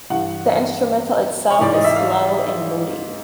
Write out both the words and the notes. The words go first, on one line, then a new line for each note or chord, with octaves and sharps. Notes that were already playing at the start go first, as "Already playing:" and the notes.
The instrumental itself is slow and moody.
G2 E3 F#5
C#5
G#2 E3 D5
D#5
E5
F5